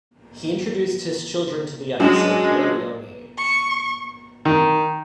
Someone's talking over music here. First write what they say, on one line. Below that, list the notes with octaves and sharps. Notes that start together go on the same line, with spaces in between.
He introduced his children to the ice at a very young age.
F#3 G#3 C#4 D4
C#6
D#3